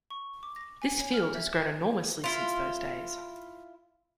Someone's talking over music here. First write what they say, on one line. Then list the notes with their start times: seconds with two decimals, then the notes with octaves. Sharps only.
This field has grown enormously since those days.
0.10 C#6
0.43 D6
0.56 A#6
0.82 G#5
1.00 C#5
1.14 F6
1.35 E5
1.53 E7
2.24 E4 F4